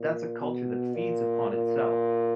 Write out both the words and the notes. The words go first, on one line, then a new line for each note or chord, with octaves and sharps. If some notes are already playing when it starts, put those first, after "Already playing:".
that's a culture that feeds upon itself.
Already playing: A#2
B2
A#2
A#2